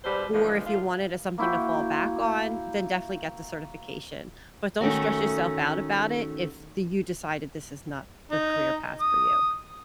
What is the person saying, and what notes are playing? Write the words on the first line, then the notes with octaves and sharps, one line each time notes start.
or if you want it as something to fall back on, then definitely get the certification. But, don't stress yourself out about it, if the you decided this is not the career path for you.
G#2 B2 G3 B4 C5
A#2 D3 E3 F3 G#3 A#3
A2 F4
A#3 E4 F#4 G5
D#3 A3 C#4 F#4
D#4
D#6